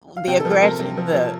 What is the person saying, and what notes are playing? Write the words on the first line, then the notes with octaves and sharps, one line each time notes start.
The aggression the
F5
C3 G5
A4
F3
A4
C3 A#4
C3
F3
F3